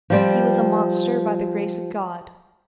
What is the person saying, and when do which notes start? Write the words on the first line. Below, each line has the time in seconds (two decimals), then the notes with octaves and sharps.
He was a monster by the grace of God.
0.10 F3 G3 C4